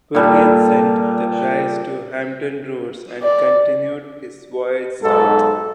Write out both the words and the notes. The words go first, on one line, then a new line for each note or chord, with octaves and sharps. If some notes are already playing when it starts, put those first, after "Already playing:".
Purviance sent the prize to Hampton Roads and continued his voyage south.
A#2 G3 A4
D5
B1 G#2 B3 A4